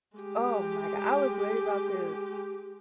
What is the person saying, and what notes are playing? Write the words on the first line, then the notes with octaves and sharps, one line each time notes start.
Oh my god, I was literally about to
G#3 G4